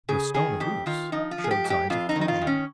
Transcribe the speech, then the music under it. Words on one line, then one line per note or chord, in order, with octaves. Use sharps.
The stone of Luce showed signs of fusion.
C#3 G#4
D#3 G#4
F2 G4
D#3 F4
F3 D#4
F4
F3
G#4
G4
G#2
G4
F2 F4
D#4
D#3
D#4
F4
D#3
C#4